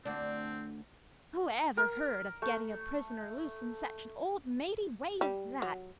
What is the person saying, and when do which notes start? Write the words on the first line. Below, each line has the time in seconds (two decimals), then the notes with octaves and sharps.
Who ever heard of getting a prisoner loose in such an old-maidy way as that?
0.05 D2 C4 D4
1.77 A#4
2.42 A3
5.21 G3
5.62 F#3